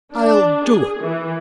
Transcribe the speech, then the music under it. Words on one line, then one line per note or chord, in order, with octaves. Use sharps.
I'll do it....
D4
G#4
E3